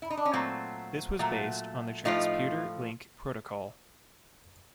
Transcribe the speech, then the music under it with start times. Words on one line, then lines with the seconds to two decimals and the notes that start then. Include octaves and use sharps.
This was based on the Transputer link protocol.
0.02 E4
0.10 D#4
0.17 D4
0.25 C#4
0.33 A#2 F#3 A3 C4
1.19 A#2 F#3 A3
2.05 A2 F3 A3 D#4 F4